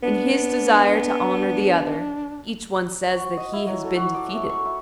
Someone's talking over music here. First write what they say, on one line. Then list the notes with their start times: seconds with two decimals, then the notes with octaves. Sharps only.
In his desire to honour the other, each one says that he has been defeated.
0.03 B3 D4
3.12 F#4
3.37 D#5
3.53 E4
3.67 F#3
3.84 A4
3.96 F#4
4.14 D6
4.34 E5
4.50 C#6
4.65 E4